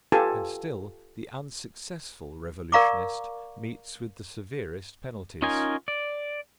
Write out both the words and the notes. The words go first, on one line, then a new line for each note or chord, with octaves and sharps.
And still the unsuccessful revolutionist meets with the severest penalties.
F4 G4 A4 B4 G#5 A5
A#4 D5 F5 A#5 C#6 D6
C#4 D#4 F4 A#4 G#5
D5